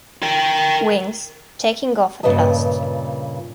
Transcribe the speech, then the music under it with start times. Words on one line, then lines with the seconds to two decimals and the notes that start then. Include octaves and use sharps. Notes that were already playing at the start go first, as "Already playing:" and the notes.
"Wings: Taking off at Last".
0.23 A#4 G5
2.23 G2 A#2 C#3 B4 D#5 A5